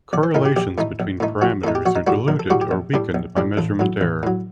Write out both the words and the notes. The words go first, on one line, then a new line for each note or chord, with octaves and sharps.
Correlations between parameters are diluted or weakened by measurement error.
A#1 D5
C5
A2 A3 D#4 A#4
G4
A#1 G4
A2 A3 D#4
A#1
A2 A3 D#4
A#1 F#4
A2 A3 D#4 A4
G4
A#1 F#4
D#4
A2 G3 D4 F#4
A#1 A#4
A4
A2 G3 D4 F#4
G4
A#1
A2 G3 D4
A#1
A2 G3 D4
A1 A4
A2 F#3
A1
A2 F#3